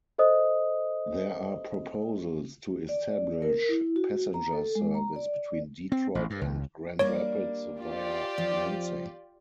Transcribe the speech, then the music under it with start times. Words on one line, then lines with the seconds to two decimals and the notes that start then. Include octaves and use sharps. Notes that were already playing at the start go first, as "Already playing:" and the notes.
There are proposals to establish passenger service between Detroit and Grand Rapids via Lansing.
0.18 A4 C5 D#5 D#6
2.89 D5
3.42 A#4
3.69 E4
3.96 F#4
4.34 A#5
4.53 A4
4.75 G#3
4.95 A#5
5.16 D5
5.92 C4
6.15 A1
6.30 G2
6.41 C#2
6.99 G3 A#3 D4 C#5
7.80 F4 G4 D5
8.38 F2 F3